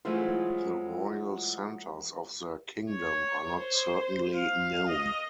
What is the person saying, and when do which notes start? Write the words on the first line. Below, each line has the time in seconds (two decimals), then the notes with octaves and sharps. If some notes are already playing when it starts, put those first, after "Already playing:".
The royal centres of their kingdom are not certainly known.
0.05 E3 F#3 G#3 A3 F4 C5
2.91 C#5
3.60 C5
4.35 F5
4.89 D#5